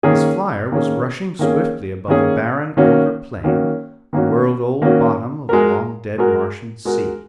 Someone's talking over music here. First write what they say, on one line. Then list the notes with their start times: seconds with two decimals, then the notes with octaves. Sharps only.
His flier was rushing swiftly above a barren, ochre plain--the world-old bottom of a long-dead Martian sea.
0.03 D#3 A#3 C#4 G#4
0.72 D#3 A#3 C#4 G#4
1.39 D#3 A#3 C#4 G#4
2.08 D#3 A#3 C#4 G#4
2.77 D#3 A#3 C#4 F#4
3.44 D#3 A#3 C#4 F#4
4.13 D#3 A#3 C#4 F#4
4.82 D#3 A#3 C#4 F#4
5.49 G#3 F#4 A#4
6.18 G#3 F#4 A#4
6.85 G#3 F#4 A#4